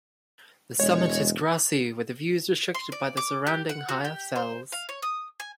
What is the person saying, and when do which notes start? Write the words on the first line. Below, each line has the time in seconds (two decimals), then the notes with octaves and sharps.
The summit is grassy with views restricted by the surrounding higher fells.
0.80 E1 G#3 C#5
2.75 C6
2.92 D5
3.17 D6
3.47 G4
3.69 F#5
3.89 F#4
4.05 G4
4.36 C5
4.72 F5
4.89 C#5
5.02 D#6
5.40 G#5